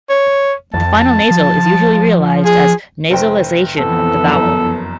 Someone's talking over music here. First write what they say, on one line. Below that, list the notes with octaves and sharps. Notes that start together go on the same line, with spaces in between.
The final nasal is usually realised as nasalisation of the vowel.
C#5
F2 A5
F3
G#4
F1 C5 G5
F2 E3 B3 A4
F#1 F#2